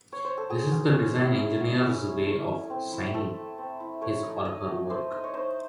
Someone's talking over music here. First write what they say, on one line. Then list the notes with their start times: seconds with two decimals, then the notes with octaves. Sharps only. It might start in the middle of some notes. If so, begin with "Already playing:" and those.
This is the design engineer's way of "signing" his or her work.
Already playing: D#5
0.12 C#5
0.24 C5
0.37 A4
0.49 F#3 G#4
0.72 F#3
0.94 C#4
1.16 E4
1.38 F#3
1.61 F#3
1.81 C#4
2.04 E4
2.25 A3
2.48 A3
2.70 C4
2.92 E4
3.14 A3 A4
3.36 A3
3.58 C4
3.80 E4
4.01 A3 C#5
4.23 D#4
4.45 D#4 D#5
4.67 A3
4.90 A3 C5
5.11 D#4 D#5
5.24 C#5
5.34 D#4 C5